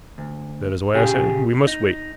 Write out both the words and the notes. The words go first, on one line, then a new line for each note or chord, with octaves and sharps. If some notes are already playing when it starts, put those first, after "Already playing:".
That is why I said we must wait.
D2
A#2 C#3 G4 G#4
D#4